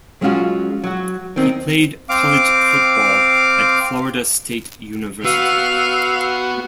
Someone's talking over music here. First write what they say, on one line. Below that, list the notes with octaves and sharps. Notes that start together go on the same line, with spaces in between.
He played college football at Florida State University.
F#3 G#3 B3 C#4 F4 F#4
F#3 F#4
D#3 C4 C#4 D#4
C4 F5 D6
B3 F#4 F5 E6